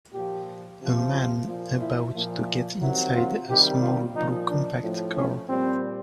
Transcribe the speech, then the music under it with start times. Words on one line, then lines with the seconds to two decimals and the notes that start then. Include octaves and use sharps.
A man about to get inside a small blue compact car.
0.13 A#2 F3 G4
0.81 C3 F3
1.13 F4
1.48 A#2 F3
1.81 E4
2.14 A#2 F3
2.81 C3 D#3 F#3 E4
3.14 F4
3.48 C3 D#3 G3 G4
3.82 F4
4.15 A#2 F3 D#4
4.48 D4
4.82 A2 F3
5.15 C#4
5.49 A#2 G3 C4